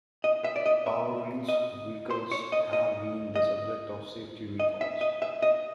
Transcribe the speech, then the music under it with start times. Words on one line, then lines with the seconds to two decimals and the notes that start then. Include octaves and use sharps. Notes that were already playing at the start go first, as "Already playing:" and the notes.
Power Wheels vehicles have been the subject of Safety Recalls.
0.24 D#5
0.44 E5
0.56 D5
0.66 D#5
0.86 E5
1.49 D#5
2.10 C5
2.31 C#5
2.52 D#5
2.73 D#5
3.36 D#5
4.60 D#5
4.81 E5
5.01 D#5
5.22 E5
5.42 D#5